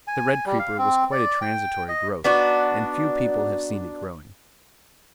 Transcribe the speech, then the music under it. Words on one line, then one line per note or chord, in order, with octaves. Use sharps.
The red creeper was quite a transitory growth, and few people have seen it growing.
G#5
G3
F5
C4
D5
G5
D#5
B3 D4 D#4 F#4